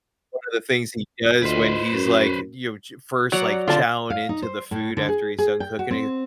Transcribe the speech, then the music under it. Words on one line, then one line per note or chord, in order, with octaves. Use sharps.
one of the things he does when he's, like, you ch first, like, chowing into the food after he's done cooking, he,
D2 F4 B4 C5 D#5
F#2 C#4 F#4 A#4
F#3 D5 F#5 A#5
D3 C4 F4 D5 A5
F5
D#4
C5
A2
D3
G#4
G#4
G5
F#4
C4